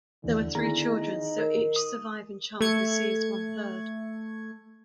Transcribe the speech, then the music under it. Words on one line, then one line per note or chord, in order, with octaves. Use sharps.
There were three children, so each surviving child receives one-third.
D#2 D3 E3
D#3 B3 E4 G#4 A#5 A#6
D#4
A#4
D#6
A3 G#6 C#7